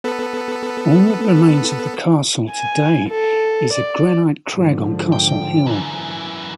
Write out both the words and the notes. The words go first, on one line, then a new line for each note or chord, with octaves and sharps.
All that remains of the castle today is a granite crag on Castle Hill.
B3 A4 B4
G#5
A4
D5
G#2 D3 F3
G5
F#2 E3